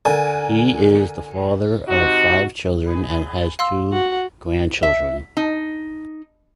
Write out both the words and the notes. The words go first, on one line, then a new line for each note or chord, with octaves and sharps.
He is the father of five children and has two grandchildren.
D3 A#4 G#5
C3 D#4 F#4
F5 C6 E6
F#4 F#5
E5
D#4